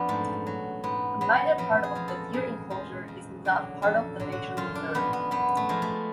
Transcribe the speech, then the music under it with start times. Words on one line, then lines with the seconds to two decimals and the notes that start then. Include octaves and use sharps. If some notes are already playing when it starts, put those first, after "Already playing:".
A minor part of the deer enclosure is not part of the nature reserve.
Already playing: F2 F3 B3 D4
0.09 G#2 A3
0.47 F#3
0.84 G#2 B3
1.21 F#3 B3
1.58 F2 B3
1.83 G#4
1.95 F3 G#3
2.08 A4
2.33 F2 G#4
2.70 F3 G#3
3.08 F2
3.45 D3 F#3
3.82 F2 A4
4.20 D3 F#3
4.32 F#4
4.57 F#2 F4
4.75 D4
4.94 F3 G#3 B3
5.13 B3
5.31 F#2 B3
5.57 A3
5.69 F3 G#3
5.82 A3